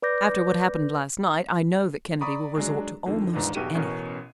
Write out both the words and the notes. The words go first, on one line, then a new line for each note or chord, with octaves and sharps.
"After what happened last night I know that Kennedy will resort to almost anything."
B4 D5 D6 G6 A#6
D5 A#5 B5 C#6 D#6
F#3 G#3 D4
F2 D3 D#3
D#1 D#2 G#2 E3 D4
E1 B1 B2 G4 D#7
A1 B2 C#4 A#4 C#6